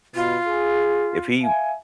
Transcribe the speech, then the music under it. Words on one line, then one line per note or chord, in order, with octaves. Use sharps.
if he
B2 F4 B4
G#4
E5 F5 G#5